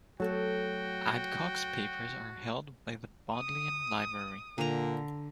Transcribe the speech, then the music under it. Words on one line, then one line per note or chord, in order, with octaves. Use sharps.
Adcock's papers are held by the Bodleian Library.
F#3 A3 F#4 A4 G5
D#6
A#2 D3 A#5